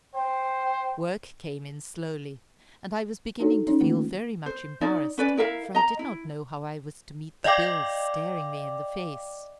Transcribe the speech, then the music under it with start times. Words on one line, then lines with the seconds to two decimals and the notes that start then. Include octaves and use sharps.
Work came in slowly, and I was beginning to feel very much embarrassed, for I did not know how I was to meet the bills staring me in the face.
0.15 C5 G5
3.40 D4 D#4 F#4 A4 C#5
3.67 C#4 D#4 C#5
3.81 D#3 A3 A#3 F4
4.46 C5
4.81 D#4 D5
5.18 C#4 B4 D5
5.37 E4 A#4 E5 F5
5.75 D#5 A#5
5.99 E4
7.44 D5 D#5 F5 G5 D6